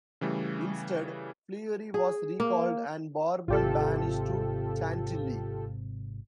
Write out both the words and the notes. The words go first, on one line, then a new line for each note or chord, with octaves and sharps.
Instead, Fleury was recalled and Bourbon banished to Chantilly.
C#3 E3 G3 A3
G#4
A#3
G#1 C3 F4 G4 A4